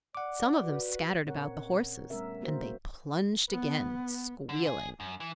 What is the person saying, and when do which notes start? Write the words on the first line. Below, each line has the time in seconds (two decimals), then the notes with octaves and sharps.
Some of them scattered about the horses and they plunged again, squealing.
0.15 D5 F#5 D6
0.63 F#4 B4
1.27 A#2 C4 C#4 A#4 C#5 F#5
2.10 G3 A3 B3 C#4 A#4 E5
2.41 F#3 A#3 F#4 A#4 C5
3.50 B3
4.49 D3
4.67 G#4
5.00 F#2
5.20 E3